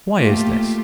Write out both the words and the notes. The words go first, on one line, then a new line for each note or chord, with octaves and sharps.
Why is this?
A3 A#3 F4 G4